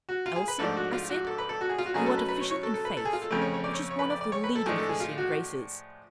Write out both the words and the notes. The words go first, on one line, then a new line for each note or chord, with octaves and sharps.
'Elsie,' I said, 'you are deficient in Faith--which is one of the leading Christian graces.
F#4
F4
G#4
B4
G#2 F3 A3 D4 A4
F#4
F4
F#4
A4
B4
A4
F#4
G#4
F4
F#4
B2 F#3 A3 C#4 G#4
A4
B4
B4
C#5
C#5
A4
A4
B4
A4
G#4
F4
A4
F2 C#3 F3 A3
C#5
C#5
D5
C#5
C#5
B4
D5
D5
C#5
B4
A4
A2 F3 G#3 D4 G#4
A4
G#4
F4
F#4